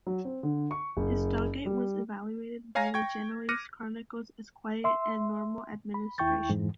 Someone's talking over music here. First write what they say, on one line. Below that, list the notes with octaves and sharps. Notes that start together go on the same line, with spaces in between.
His Dogate was evaluated by the Genoese chronicles as quiet and "normal administration".
F#3
C4
D3
C#6
F#1
G3
C#5 F5 G#5 A#5 A#6
G5 C#6 G#6
D6 F6 F#6 A#6 C#7 D#7
E5 C6 E6
B5
D#2 E4 G5 C#6 G6 A6
F2 G#2 E3